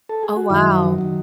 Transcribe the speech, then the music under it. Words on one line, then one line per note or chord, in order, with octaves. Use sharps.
Oh, wow.
A4
G#4
F#4
F#2 D#3 F#3 E4
D#3 F#3